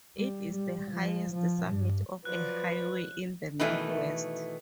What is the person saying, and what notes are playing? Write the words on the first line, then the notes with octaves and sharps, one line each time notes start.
It is the highest summit of a highway in the Northwest.
G3
G3
F3
F3
G2
F3 F#3 B4 D5 F#6
B2 D#3 E3 A3